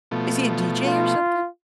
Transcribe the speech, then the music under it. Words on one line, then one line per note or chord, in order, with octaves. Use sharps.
Is he a DJ or something?
B2 F3 A3
F4